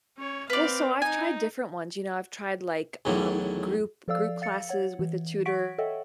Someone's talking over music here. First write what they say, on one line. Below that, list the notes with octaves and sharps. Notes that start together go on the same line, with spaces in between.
Well, so I've tried different ones, you know, I've tried, like, um, group group classes with a tutor.
C#4 C#5
C4 B4 D5 F5
D#4 G#5
E2 A2 D#3 F#3
F3 A4 D5 F5 E6
F5 A6 C#7
C#5 F#5
E3
F#5 C#6 B6 D7
A4 C#5 D#5 E5 F#5 G5